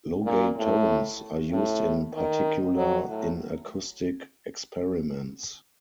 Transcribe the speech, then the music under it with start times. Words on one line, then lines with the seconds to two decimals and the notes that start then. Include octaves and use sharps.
Logatomes are used in particular in acoustic experiments.
0.25 A#2
0.56 A2
1.51 A2
2.14 D#3
2.76 F#3
3.08 A2